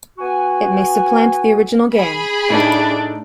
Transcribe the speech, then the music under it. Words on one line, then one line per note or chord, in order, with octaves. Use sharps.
It may supplant the original game.
B3 F#4 G#5
G#4 B5
A2 A3 D4 D#4